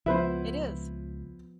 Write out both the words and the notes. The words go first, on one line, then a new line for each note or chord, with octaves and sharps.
It is.
C#2 F3 B3 E4 B4 C5